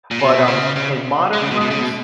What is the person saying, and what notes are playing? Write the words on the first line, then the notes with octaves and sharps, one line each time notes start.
But, um, in modern times,
A#2
B2
C#3
C#3
G#3
C#3
B2
B2
C#3
B2